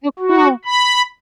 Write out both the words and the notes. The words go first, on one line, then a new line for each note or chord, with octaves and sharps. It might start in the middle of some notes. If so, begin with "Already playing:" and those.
Oh, cool.
F#4
B5